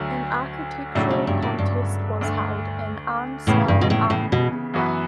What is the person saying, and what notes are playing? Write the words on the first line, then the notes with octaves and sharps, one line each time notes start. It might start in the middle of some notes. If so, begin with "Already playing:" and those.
An architectural contest was held, and Arnstein Arneberg won.
Already playing: D2 D3 F#3 A3
A2 C#3 F#3 A3 D4 A4
B2
G2
A2
G2
D2 D3 A3
A2 C#3 E3 B3
G2
B2
A2
A2
B2
F#2 E3 B3 F#4 B4